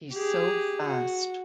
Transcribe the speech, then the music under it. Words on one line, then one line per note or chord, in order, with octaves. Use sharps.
He's so fast.
G4 G#4
F#4